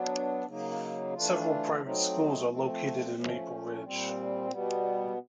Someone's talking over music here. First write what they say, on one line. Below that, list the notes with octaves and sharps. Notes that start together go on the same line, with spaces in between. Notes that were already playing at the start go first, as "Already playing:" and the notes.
Several private schools are located in Maple Ridge.
Already playing: F#3 B3 D4
C#3 F#3 A#3 D#4
E3 A3 D4 F4
F#3 A3 C4 D#4
F3 A3 C4
F3 A3 C#4
A#2 G3 C4
B2 G3 B3